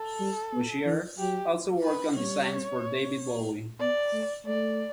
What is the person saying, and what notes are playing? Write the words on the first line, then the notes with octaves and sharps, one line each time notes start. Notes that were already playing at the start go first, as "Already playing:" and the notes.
Boshier also worked on designs for David Bowie.
Already playing: A4
G3
B3
E3
F#3 G4
B4
G3 C#5
B3 D5
A3
A3 D5